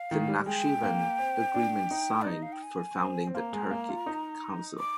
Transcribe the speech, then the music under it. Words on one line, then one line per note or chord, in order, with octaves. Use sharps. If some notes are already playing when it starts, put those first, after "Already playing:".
The Nakhchivan Agreement signed for founding the Turkic Council.
Already playing: F5
D#3
G3
G#3 G5
A#3
C4
D4
D#4
D#4 D5
D#5
F5
G5
G#5
C4
C4
A#3 A#5 C6
G#3
A#3
F4
D#4
D6